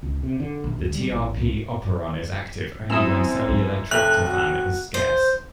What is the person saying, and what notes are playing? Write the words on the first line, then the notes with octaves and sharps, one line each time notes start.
The trp operon is active only when cellular tryptophan is scarce.
C#2
C3
D3
A#1
D2
G3
A1
C2
F#2 C4 E4 D#6 E7
B1
F1 A4 E5 F#6 F7
F#4
C5